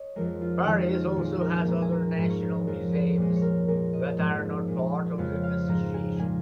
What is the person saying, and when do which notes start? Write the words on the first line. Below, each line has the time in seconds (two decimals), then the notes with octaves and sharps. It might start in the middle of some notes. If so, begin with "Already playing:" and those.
Paris also has other national museums that are not part of the association.
Already playing: C#5 D#5
0.16 F2 F3 G#3 A#4
0.42 F4
0.58 C#4
0.64 F2 D#3 G#3 D#4
0.92 F4
1.07 F4
1.16 A#2 F3 G#3 G#4
1.41 A#4
1.65 A#2 G#3 A#5
1.82 G#5
1.92 A#5
2.17 G#2 F3 G#3 A#4
2.30 C#5
2.42 A#4
2.67 F2 F3 G#3 A#4
2.93 G#4
3.17 A#2 G#3
3.36 C#5
3.42 A#4
3.67 A#2 G#3 A#4
3.93 D#5
4.18 G#2 F3 G#3
4.68 A#2 G#3
5.18 F2 C#3 G#3 F5
5.43 F5
5.67 G#2 F3 G#3 A#5
5.94 G#5
6.19 A#2 G#3 G#5